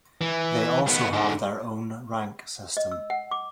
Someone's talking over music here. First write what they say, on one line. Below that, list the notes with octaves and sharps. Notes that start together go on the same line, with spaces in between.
They also have their own rank system.
E3
D#3 B3
G#2 D3
D#5
E6
F#5
D6